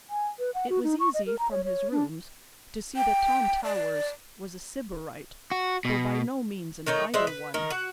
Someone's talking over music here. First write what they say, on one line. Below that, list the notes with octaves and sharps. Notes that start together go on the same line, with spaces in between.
It was easy, from his rooms, to see that Tom Towers was a Sybarite, though by no means an idle one.
G#5
B4
F#5
F#4
D#4
C#6
D#5
A#4
A#5
C#5
C#5
D4
G5
D5
F#4
B2
D#3 A3 D#4 C#5
G#3 D4 C5 E5
B4
D#3 A#4
F#4